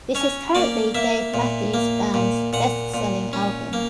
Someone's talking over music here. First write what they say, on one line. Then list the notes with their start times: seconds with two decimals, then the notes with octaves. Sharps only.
This is currently Dave Matthews Band's best-selling album.
0.15 C#4 C#5
0.55 A#3 D5
0.95 A#3 E5
1.34 A#2
1.74 A#3
2.14 A#2
2.53 A#2 F#5
2.94 A#2
3.33 C#4
3.73 A#3